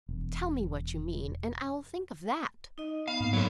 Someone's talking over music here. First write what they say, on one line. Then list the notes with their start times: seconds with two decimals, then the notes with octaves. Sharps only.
"Tell me what you mean, and I'll think of that."
0.09 E1
2.78 D#4 D#5
3.08 B3 F5
3.20 G#2 A#3
3.33 F#3 A4